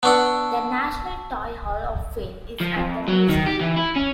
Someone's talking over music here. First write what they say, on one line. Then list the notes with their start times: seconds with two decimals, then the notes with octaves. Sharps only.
The National Toy Hall of Fame is at the museum.
0.03 B3 D4 F#5 A5 C#6 E6
2.60 F3
2.76 F2
3.08 F#3
3.29 D#3
3.46 G4
3.61 E3
3.76 E4
3.96 C#4